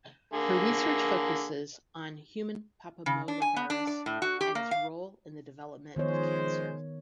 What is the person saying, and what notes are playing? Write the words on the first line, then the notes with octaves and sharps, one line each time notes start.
Her research focuses on human papillomavirus and its role in the development of cancer.
D3 A#3 G#4
C#3
D4
G#5
B3
D4
D5
A2
F#4
G4
A#3
F5
D#3 F3 G#3 B3 C5 C#5